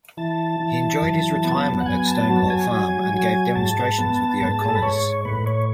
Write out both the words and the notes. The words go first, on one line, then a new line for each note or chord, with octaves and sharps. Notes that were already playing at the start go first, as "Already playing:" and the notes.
He enjoyed his retirement at Stonehall Farm, and gave demonstrations with the O'Connors.
E3 A5
E3
F#2
B3
F#5
F#2 G#5
A5
F#3 A5
G#5
F#3 G#5
F#3
G#2 A5
B3
G#2 A5
G#4
A4
B4
G#2 C#5
A2 B4
C#5